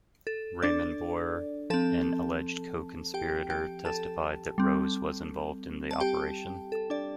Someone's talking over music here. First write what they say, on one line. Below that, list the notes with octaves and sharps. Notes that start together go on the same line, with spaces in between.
Raymond Boyer, an alleged co-conspirator, testified that Rose was involved in the operation.
A4
D4 D5
F3 C4 A4 A5
G4 G5
G4 G5
A4 A5
G3 C4
A5
G4 G5
A4
D4 D5